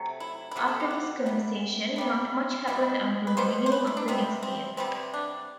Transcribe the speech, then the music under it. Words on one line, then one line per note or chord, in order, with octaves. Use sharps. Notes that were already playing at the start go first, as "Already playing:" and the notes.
After this conversation not much happened until the beginning of the next year.
Already playing: C3 F#3 A3
E4
E4
C3 F#3 A3 F#4
A4
G4
F#4
C3 G3 B3
C3 G3 B3
B2 G3 B3 E4
B4
B2 G3 B3 C5
C5
B4
E4
D4
C3 G3 B3 C4
C4
C3 G3 B3 C4
D4